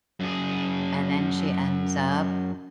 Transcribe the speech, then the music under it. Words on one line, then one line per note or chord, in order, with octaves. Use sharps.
and then she ends up
F#2 G#4